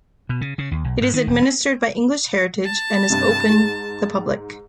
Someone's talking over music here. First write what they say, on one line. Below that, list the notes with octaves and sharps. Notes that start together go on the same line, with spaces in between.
It is administered by English Heritage and is open the public.
B2
C#3
C#3
D#2
B1
G#2
D#3
E1
C4
A5
G2 C3
G#2